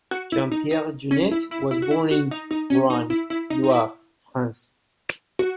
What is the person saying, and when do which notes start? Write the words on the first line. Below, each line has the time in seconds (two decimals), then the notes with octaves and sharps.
Jean-Pierre Jeunet was born in Roanne, Loire, France.
0.11 F#4
0.32 E4
0.52 D#4
0.71 D#4
1.11 C#4
1.31 E4
1.51 E4
1.71 E4
1.82 F#4
1.91 E4
2.11 F#4
2.31 D#4
2.51 D#4
2.70 C#4
2.90 D#4
3.10 E4
3.30 E4
3.50 D#4
3.64 D#4
3.71 E4
5.39 F#4